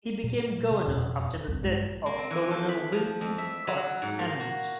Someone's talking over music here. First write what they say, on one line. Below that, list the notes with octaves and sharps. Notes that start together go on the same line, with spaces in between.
He became governor after the death of Governor Winfield Scott Hammond.
A#2
C3
E1 F2 B2
C2 F2 C4
A#1 G2 G#3
A#3
C4
E3
A4
B5
F3
F2
E5
F#3
G#2
A#3
F#4